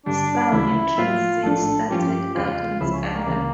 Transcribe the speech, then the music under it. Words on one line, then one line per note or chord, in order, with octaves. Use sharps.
Sound Transit started out in scandal.
G2 D3 G3 D4
D2 C#3 E3 A3 C#4 E4
A2 F3 A#3 F4
A#1 A2 F3 A3 D4 A4
G2 F3 C#4 F4 G4
E2 C#3 F3 F4
C#2 C#3 F3 E4
C#4
D4
A#3
C#2 C#3 E3